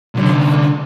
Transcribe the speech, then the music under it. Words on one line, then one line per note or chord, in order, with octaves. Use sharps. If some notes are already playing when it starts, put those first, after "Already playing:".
And it's
C2 D3